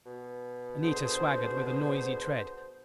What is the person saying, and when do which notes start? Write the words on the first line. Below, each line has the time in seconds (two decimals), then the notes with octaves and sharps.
Anita swaggered with a noisy tread.
0.06 B2
0.83 D3 G#4 C5